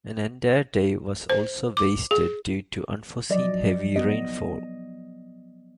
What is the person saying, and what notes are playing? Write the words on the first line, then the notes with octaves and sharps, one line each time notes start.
An entire day was also wasted due to unforeseen heavy rainfall.
C5
D6
G#4
F3 F#3 D5 D#5
B3 D#5